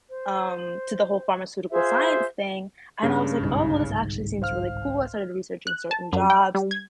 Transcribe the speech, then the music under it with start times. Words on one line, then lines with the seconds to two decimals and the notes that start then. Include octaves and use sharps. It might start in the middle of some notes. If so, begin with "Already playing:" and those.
um, to the whole pharmaceutical science thing, and I was like, "Oh, well, this actually seems really cool," I started researching certain jobs,
0.06 C5
1.71 F4 G#4 C5 E5
3.03 G2 C#3
3.40 G1 C2 G#2
4.42 C5 F5 F6
5.67 F#6
5.91 A5
6.13 F#2
6.30 G5
6.55 G3
6.71 G#6